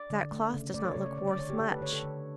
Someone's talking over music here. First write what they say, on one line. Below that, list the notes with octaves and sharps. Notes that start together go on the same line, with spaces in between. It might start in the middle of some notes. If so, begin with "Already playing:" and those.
'That cloth does not look worth much!'
Already playing: D5
D3
A3
C#3
A3 D5
C#5
C#3 C#5
D5
D3 D5
D5
D3 C#5
G4
A3 A4
B4
D3 C#5
A4
D3